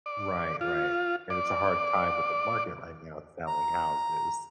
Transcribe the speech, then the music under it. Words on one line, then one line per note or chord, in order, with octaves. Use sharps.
Right, right. And it's a hard time with the market right now selling houses.
D5
F4
D5
A#5